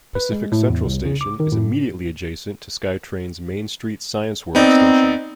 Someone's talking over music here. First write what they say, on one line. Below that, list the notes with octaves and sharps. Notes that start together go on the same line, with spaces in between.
Pacific Central Station is immediately adjacent to SkyTrain's Main Street-Science World station.
B4
G#3
A2
E2
C2
C#3
D6
D#3
A2
B3 C4 D#4 D5